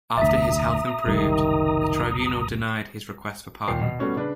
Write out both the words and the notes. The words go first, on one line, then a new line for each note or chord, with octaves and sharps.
After his health improved, the tribunal denied his request for pardon.
F1 D2 E5 A#5 D#6 B6
F#1 C2 D#3 G3
D#2 A#2 C7
B2
G3 A3 B3 C#4 F#4
C#3 D4 B4